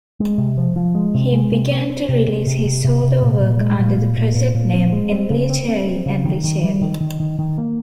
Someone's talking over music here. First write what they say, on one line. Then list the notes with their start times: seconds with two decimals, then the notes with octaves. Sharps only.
He began to release his solo work under the project name Endlicheri-Endlicheri.
0.20 G#3
0.38 C3
0.57 F3
0.76 F3
0.95 G#3
1.15 C3
1.32 G#3
1.52 C3
1.71 C4
1.90 C4
2.09 C3
2.28 C3
2.47 C3
2.65 C3
2.84 C3
3.04 C3
3.22 A#2
3.41 A#2
3.60 G#3
3.79 A#2
3.98 A#2
4.17 A#2
4.35 A#2
4.55 A#2
4.74 C4
4.92 G#3
5.11 C4
5.30 C#3
5.49 C4
5.69 C4
5.87 C4
6.06 C#3
6.25 D#3
6.44 D#3
6.63 G3
6.82 D#3
7.01 D#3
7.20 D#3
7.39 D#3
7.58 A#3